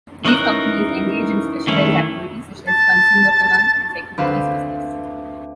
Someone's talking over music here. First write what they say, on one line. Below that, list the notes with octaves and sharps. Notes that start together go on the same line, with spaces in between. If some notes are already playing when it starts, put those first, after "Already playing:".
These companies engage in specialized activities, such as consumer finance and securities business.
E3 C#4 D#4 A#4 F#6
D#3 E3 A3 C#4 E4
A5
D2 C4 B4 F5 F#6 E7